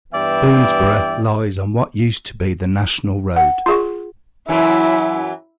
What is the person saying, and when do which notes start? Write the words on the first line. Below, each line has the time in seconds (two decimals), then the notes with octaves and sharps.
Boonsboro lies on what used to be the National Road.
0.12 G2 E3 B3 D5 E5 G5
3.36 F#5
3.66 F4 G#4 C#6
4.48 F#2 E3 F#3 E4